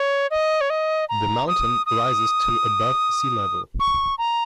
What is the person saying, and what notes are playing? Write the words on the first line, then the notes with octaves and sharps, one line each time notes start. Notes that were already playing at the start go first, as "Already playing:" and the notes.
The mountain rises to above sea level.
Already playing: C#5
D#5
C#5
D#5
A#5
D#6
D#6
C#6
A#5